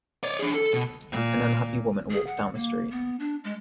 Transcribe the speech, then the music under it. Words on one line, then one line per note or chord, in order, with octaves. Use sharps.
An unhappy woman walks down the street.
C#5 D5
D4 G#4
A4
B2
A#2
G#4
F#5
A#3
B3
D4
G#3